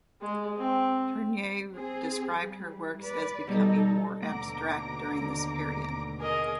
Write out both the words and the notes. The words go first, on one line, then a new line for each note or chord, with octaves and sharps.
Turnier described her works as becoming more abstract during this period.
G#3
C4
C4 G#4
G3
B4 D5
B2 G3 D#4 A4
D#2 B2 D3 A3 F#5 A#5 D6
G#4 A#4 D#5